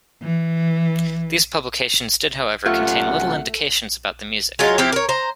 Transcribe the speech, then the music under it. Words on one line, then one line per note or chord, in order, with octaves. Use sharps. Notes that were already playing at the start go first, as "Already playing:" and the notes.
These publications did however contain little indications about the music.
E3
F#2 C3 A3 F4 F#5
F#3 G#3 C#4 F4
F3 C4 E4 G4
A#4 C#5
C5 A#5